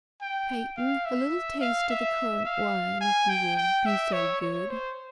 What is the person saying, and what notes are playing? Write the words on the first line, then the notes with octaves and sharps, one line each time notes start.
Peyton--a little taste of the currant wine, if you will be so good.
G5
F5
E5
F5
E5
F5
G#5
G5
G5
E5
C#5
C#5
C5